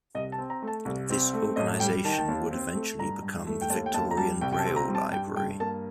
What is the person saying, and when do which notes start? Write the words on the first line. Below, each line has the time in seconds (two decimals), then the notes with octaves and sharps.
This organisation would eventually become the "Victorian Braille Library".
0.15 C2 D#5
0.32 A5
0.38 C4
0.50 A#5
0.62 A3
0.68 A5
0.85 C2
1.10 C4
1.33 A3
1.56 A1 D#5
1.80 G3 G5
2.04 D#3 A5
2.12 G5
2.18 A5
2.28 D#2
2.51 C4
2.75 A3
2.99 G2 A#5
3.22 G2
3.47 A3
3.61 G5
3.70 D#2 A5
3.86 G5
3.94 D#2 A5
4.11 A#5
4.17 G3 A5
4.41 C2 G5
4.53 G5
4.58 A5
4.65 C4
4.76 A#5
4.88 G3
4.95 A5
5.12 G2 G5
5.35 G2 G5
5.60 A#3 A5